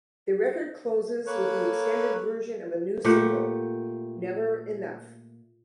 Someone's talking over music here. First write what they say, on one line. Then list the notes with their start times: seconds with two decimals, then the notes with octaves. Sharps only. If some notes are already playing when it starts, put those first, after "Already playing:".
The record closes with the extended version of a new single, "Never Enough".
1.27 A#3 A4 B4 C#5
3.05 A#2 A3 G4 F#5